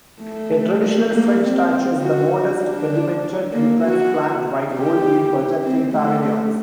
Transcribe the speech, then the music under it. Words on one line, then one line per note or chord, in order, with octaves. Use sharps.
A traditional French touch is the modest pedimented entrance flanked by boldly projecting pavilions.
A3
A#3
C4
F#4
D4
A#3
F#4
G4
C4
A3